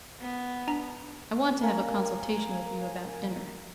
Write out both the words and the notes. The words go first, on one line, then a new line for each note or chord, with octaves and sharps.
I want to have a consultation with you about dinner.'
B3
D4 A#5
A#4 F5 G#5 A#5 G#6